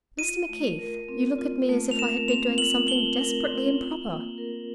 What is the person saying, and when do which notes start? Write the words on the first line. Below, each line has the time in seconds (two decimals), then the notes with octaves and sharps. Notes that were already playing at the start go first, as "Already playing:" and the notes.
Mr McKeith you look at me as if I had been doing something desperately improper.
0.19 F4 D#7
0.49 A3
0.79 A#4
1.08 C4
1.39 F4
1.69 A3
1.91 F7
1.98 A#4 E7
2.28 C4 F7
2.58 F4 F#7
2.88 A3 G7
3.18 A#4
3.48 C4
3.78 F4
4.08 A#3
4.38 A#4